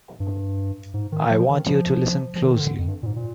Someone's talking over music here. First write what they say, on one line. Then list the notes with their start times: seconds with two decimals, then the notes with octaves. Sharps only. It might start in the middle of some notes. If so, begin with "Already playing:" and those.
I want you to listen closely!
0.20 G2
0.94 G#2
1.12 D#3
1.30 F3
1.49 D#3
1.67 F3
2.36 F3
2.42 D#3
2.56 D#3
2.60 D3
2.79 F2
2.88 G2
3.03 A#2
3.06 G#2
3.16 A#2